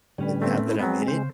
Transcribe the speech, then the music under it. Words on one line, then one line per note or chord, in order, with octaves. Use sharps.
But now that I'm in it,
A2 D3 G3 C#4 B4
A3 B3 C4
E4
F#3 G#3 B3 C4
C#3 C5